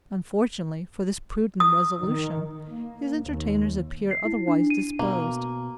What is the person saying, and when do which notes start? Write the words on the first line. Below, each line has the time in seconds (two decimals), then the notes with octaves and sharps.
Unfortunately for this prudent resolution, his entertainers appeared otherwise disposed.
1.60 D#6
2.01 D#3
2.68 A#3
3.26 D#2
4.11 C7
4.25 E4
4.48 D4
4.70 D#7
4.99 B2 A#3